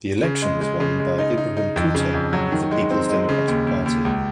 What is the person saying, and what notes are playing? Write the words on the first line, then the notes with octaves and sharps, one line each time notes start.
The election was won by Ibrahim Kuta of the Peoples Democratic Party.
C#3
G#3
G#3
C#3
G#3
D#4
D#4
D#4
F2
C#3
F2
F#3
D#3
G#3
C4
G#3
C#3
D#2
D#2
D#2
C#2